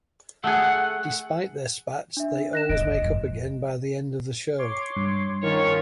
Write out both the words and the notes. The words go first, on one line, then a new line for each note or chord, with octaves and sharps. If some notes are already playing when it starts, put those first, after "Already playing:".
Despite their spats, they always make up again by the end of the show.
A3 G#4 F#5
D4 E5
F#6 A#6 E7
G1 F3 D#5 D7
G#2
F2 G#2
C#5 C6 D6
G2
D#3 C#4 F4 C#5